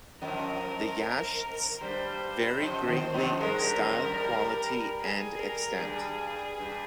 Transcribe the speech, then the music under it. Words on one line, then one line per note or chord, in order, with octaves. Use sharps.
The "Yasht"s vary greatly in style, quality and extent.
F2 F3 A#4
G2 G3 C5
F2 F3
D#2 D#3
F2 F3
G#2 G#3 A#4
G2 G3
F2 F3
F3
G2 G3
G#4
A#4
G2 G3 G#4
G2 G3